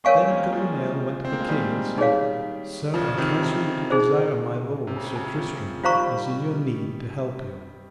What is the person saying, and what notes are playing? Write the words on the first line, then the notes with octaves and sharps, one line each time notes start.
Then Gouvernail went to the king and said: Sir, I counsel you to desire my lord, Sir Tristram, as in your need to help you.
G#3 C4 A#4 C#5 F5 G#5 C#6
A#3 C#4
F3 G#3
C4
A#3
G#3
D#3 G3
D#4 G#4 C#5 F5
C#3 F3
C3 D#3
C3
D#4 G#4 C5
C3
C#3
C3
C#3
C3
C#3 F3
D#3 G3 F4 C5 F5 A#5 C#6